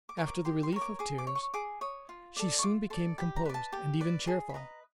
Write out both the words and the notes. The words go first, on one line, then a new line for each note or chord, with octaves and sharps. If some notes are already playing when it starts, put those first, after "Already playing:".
After the relief of tears, she soon became composed, and even cheerful.
D6
A#4 C#5
D6
G4 C6
C6
A#4 C#5
D6
G#4 D6
D6
C#5
C#6
G#4 D6
C#5 D#6
F4
A4 D5
C#6
F4 D6
A4 D5 C6
G4 B5
A#5
B4 D5
A5
G4
B4 D5
G#4 A5
B5
B4 D#5 A#5